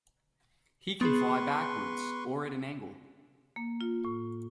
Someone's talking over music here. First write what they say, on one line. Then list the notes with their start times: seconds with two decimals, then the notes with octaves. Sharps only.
He can fly backwards, or at an angle.
1.01 B3 G#4 B4 C6 C#6
3.56 A#3
3.81 F4
4.05 A2